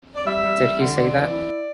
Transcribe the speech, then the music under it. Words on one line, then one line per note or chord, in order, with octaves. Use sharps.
Did he say that?
D5
G3 E5
G3
G3
D3
C4 D5
E3
E4